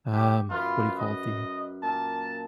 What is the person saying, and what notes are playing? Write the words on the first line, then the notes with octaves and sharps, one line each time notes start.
um, what do you call it? The
G4
F#2 F4 B4 B5
D#5
A#2 A5